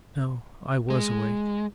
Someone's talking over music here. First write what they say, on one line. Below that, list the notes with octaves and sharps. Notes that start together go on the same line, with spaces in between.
"No--I was awake."
G#3